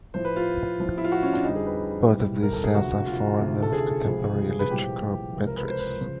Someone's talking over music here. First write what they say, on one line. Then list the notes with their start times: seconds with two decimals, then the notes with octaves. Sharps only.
Both of these cells are forerunners of contemporary electrical batteries.
0.14 A2 F3 C5
0.25 B4
0.36 F4
0.79 A2 F3
0.98 E4
1.04 F4
1.12 F#4
1.23 C#4
1.33 D4
1.44 F2 D3 G3 D#4
1.56 G#4
1.66 B4
2.09 C2 B2 G3
2.43 A#4
2.53 A4
2.64 G#4
2.75 D2 C3 F3 F#4
3.07 F4
3.40 D2 C3 D#3
3.62 A4
3.73 G#4
4.05 C#2 C3 F3
4.49 G#4
4.59 B4
4.70 C2 A#2 F3 G4
5.36 C#2 C3 F3
5.47 A#4
5.57 B4
5.68 C5
5.79 B4
6.01 C#3 F3 C5